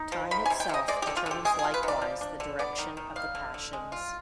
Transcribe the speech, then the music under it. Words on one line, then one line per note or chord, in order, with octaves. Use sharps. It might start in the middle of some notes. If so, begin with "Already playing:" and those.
Time itself determines likewise the direction of the passions.
Already playing: D#4
F3
D#3 B5
G#5
C3
G5
C3 D#5
G#3 D5
G4
D3
F4
D3 G4
G#3 G#4
G#4
F4
B4
D#3
D5
F3
D4
D3
B3 D5
D#3
D#3
G3 F5
D3
D3
G#3
F4